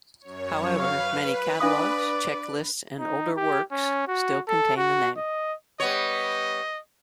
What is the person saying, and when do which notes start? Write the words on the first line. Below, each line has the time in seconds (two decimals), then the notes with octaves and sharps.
However, many catalogs, checklists, and older works still contain the name.
0.21 F#2 C#5
0.79 B4 F5 C#6
1.60 D4 D5 F5 D#6
2.99 D#4
3.36 G4
3.71 C#4
4.07 F#4
4.47 A4
4.77 F#4
5.17 D#5
5.80 G3 B3 C#5 D#5